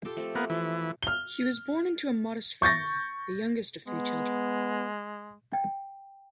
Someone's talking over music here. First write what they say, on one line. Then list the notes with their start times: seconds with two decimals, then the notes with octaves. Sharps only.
He was born into a modest family, the youngest of three children.
0.05 F4 G4 A4
0.17 F3 A3 C4
0.35 A#3 B3
0.50 E3 F3
1.03 F6 G7
2.62 C#6 G6 A6 A#6
3.88 G#3 B3
5.53 G5